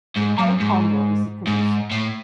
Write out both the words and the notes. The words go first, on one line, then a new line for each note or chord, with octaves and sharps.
Hikaru Kondo is the producer.
G#2
F#2
G#2
G#2
A2